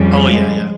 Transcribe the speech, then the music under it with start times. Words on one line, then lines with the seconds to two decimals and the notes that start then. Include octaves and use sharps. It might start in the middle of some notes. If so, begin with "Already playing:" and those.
Oh, yeah, yeah.
Already playing: F2 C#3 G3
0.20 G#3